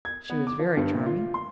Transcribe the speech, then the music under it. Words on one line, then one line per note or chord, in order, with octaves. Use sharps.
She was very charming.
G#6
B3
D6
F3
G2
A#2
F4
C6